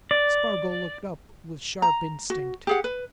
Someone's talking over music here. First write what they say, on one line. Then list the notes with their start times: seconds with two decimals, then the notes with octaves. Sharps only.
Spargo looked up with sharp instinct.
0.11 D5
1.82 A#5
2.30 F#4
2.67 G4 G#4 F#5
2.84 B4